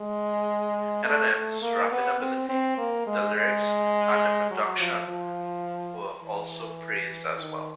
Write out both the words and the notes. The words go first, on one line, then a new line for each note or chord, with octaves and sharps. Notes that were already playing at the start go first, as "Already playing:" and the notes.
Eminem's rapping ability, the lyrics and the production were also praised as well.
Already playing: G#3
A3
A3
A#3
B3
C4
C4
A#3
G#3
G#3
F#3
F3
F3
E3
D#3